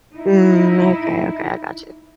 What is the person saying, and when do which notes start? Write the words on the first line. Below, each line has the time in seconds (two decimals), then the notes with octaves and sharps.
Mm, okay, okay, I got you.
0.17 D#4 E4